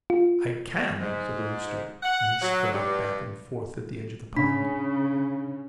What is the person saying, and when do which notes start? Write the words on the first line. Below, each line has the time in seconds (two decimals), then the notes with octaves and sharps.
"I can," said the rooster, and he strutted back and forth at the edge of the pond.
0.10 F4
1.01 G#2
2.03 F#5
2.42 F#3
2.73 G2
4.36 C#3 D4 B5 B6